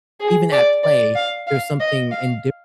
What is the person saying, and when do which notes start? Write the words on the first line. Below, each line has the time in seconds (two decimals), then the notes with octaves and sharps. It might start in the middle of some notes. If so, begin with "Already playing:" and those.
even at play, there's something indifference
0.20 G#4
0.51 D5
0.83 D5
1.15 F5
1.47 F5
1.80 D#5
2.11 F5